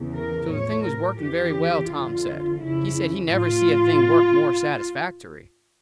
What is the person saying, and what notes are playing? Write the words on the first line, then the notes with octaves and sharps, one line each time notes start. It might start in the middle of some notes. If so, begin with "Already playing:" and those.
So the thing was working very well, Tom said; he said he never see a thing work more satisfactory.
Already playing: E2 C#3 E3
A#4
A2 F3 C#5
A#4
F2 E3 G4
F2 D3 F3 F4
F2 C#3 F3 E4
A2 F3 F4